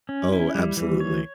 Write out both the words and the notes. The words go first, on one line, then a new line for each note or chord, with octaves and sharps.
Oh, absolutely.
C#4
E4
G3
E3
C#5